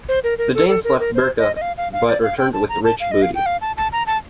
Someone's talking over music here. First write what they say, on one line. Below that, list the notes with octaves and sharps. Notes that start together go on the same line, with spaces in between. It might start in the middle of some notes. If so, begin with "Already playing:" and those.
The Danes left Birka but returned with rich booty.
C5
A#4
A#4
A4
A4
A#4
A#4
C5
D#5
D#5
F5
F5
F5
D5
F5
G5
A5
A#5
A5
F5
D#5
F5
G5
F5
A5
A5
A#5
A5